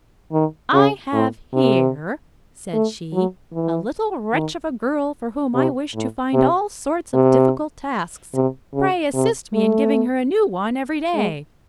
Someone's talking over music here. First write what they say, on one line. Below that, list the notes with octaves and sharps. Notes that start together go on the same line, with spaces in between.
"I have here," said she, "a little wretch of a girl for whom I wish to find all sorts of difficult tasks; pray assist me in giving her a new one every day."
D#3
C#3
A2
C3
A3
F#3
E3
D#3
C3
A2
C3
C3
C3
C#3
C3
A3
G#3